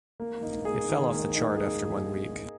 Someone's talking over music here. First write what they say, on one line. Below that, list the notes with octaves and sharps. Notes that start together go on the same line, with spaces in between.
It fell off the chart after one week.
A#3
D#4
G#4
D#3
A#3
D#4
G#4